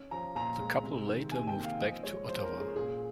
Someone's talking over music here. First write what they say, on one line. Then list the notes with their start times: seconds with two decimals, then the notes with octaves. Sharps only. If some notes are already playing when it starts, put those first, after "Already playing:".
The couple later moved back to Ottawa.
Already playing: C#4
0.11 F3 A#5
0.35 A#2 A#5
0.60 G#3
0.83 C3
1.07 D#3
1.31 C3 G#5
1.47 G5
1.56 A#3
1.63 F5
1.80 F3 D#5
2.03 G#3 C#5
2.28 F3 C5
2.44 A#4
2.52 C#4
2.60 G#4
2.76 A#2 G#4